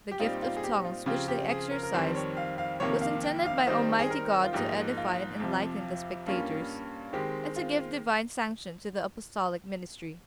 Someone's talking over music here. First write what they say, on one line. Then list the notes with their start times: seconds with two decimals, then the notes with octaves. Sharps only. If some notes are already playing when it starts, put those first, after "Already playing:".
The gift of tongues which they exercised was intended by Almighty God to edify and enlighten the spectators, and to give Divine sanction to the Apostolic ministry.
0.11 G4
0.20 A#2 G3 C4 D#4 F4
0.42 F4
0.57 G#4
0.64 G4
0.85 F4
1.06 C#3 F3 C4 F4 G4
1.28 G4
1.50 G#4
1.71 A#4
1.83 A#4
1.94 F2 D#3 G3 C4 C5
2.16 C#5
2.37 F5
2.58 F5
2.80 F2 C3 D#3 A#3 C#5
3.01 F5
3.23 G5
3.46 F5
3.67 D#3 G3 C4 D#4 C5
3.99 G#4
4.10 A#4
4.43 F4
4.53 G#2 F3 A#3 D#4 G4
4.97 F4
5.40 F2 C3 F3
6.26 G2 G3 A#3 C#4 F4
7.13 D#3 G#3 C4 G4
7.56 F4